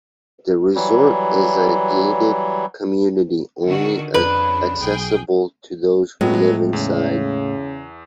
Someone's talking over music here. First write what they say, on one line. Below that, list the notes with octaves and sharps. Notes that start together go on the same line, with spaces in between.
The resort is a gated community only accessible to those who live inside.
E3 F#3 G3
D3 D#3 F#4
F2 C#3 D4 B4
B1 G#4 G5
A2 F#3 G#3 B3
E2 C#3